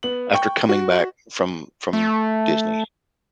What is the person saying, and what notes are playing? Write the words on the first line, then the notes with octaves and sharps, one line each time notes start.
after coming back from from Disney?
B3 F#7
G5 C#6
F#4
A3